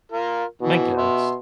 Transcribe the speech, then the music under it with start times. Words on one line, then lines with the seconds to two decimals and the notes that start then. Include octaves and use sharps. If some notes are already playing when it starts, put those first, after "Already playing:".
I guess.
0.12 F4 A#4
0.62 B2 E3
0.98 E5 C6